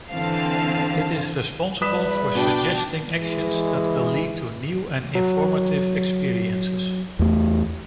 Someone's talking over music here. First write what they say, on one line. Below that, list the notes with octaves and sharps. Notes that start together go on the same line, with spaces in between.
It is responsible for suggesting actions that will lead to new and informative experiences.
D3 E3 C4 F5 A5
E2 G3 B4 D#6 B6 E7
B2 D4 G5
E3 G#3
F#3
E2 A3